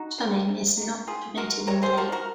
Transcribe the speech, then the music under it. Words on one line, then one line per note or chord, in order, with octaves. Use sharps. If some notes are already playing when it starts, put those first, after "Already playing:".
Swimming is not permitted in the lake.
Already playing: D#4 F#4
F3 A#3
C3
F#3 A#3
D#3 F4 G#4
G#3 F#4 A#4
C3 A#4 C#5
G#4 C5
F3 A#3 F#4 A#4
F#4 A#4